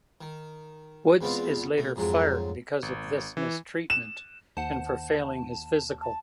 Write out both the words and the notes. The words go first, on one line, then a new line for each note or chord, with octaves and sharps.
Woods is later fired because of this mistreatment and for failing his physical.
D#3
E2 G#3 B3 C4 F4 D5
B2 A3
F2 G#2 F#3 G#3 C6
G#1
E3
E7
D#2 C5 F#5 A5
A5